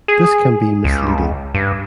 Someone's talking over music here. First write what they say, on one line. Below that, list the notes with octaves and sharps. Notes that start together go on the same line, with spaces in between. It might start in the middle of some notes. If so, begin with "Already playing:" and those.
This can be misleading.
G#4
C#2
G2